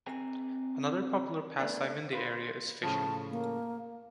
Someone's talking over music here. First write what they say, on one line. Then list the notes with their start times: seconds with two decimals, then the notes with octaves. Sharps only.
Another popular pastime in the area is fishing.
0.07 C4 G#4 B4 G5 G#5 A#5
1.59 A3 B3 D4
2.13 F4 B4 C5
2.83 A2 C#3 F3 A5
3.30 A#3